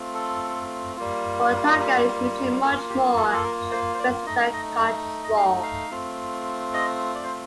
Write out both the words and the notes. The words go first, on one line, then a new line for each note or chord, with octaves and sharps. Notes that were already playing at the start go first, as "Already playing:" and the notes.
Bottarga is usually much more expensive than cod's roe.
Already playing: A3 C4 F4
A4
G3 A#3 F4
G4
A#3 F4 A4
G4
A4
A4
A#4
C5
C5
D5
A3 D#4 D#5
D#5
D#5
F5
F5
A3 C4 F4
D#5
D5
C5